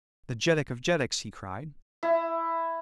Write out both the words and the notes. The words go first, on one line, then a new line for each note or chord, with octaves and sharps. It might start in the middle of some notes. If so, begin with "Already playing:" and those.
"The Jeddak of Jeddaks!" he cried.
E4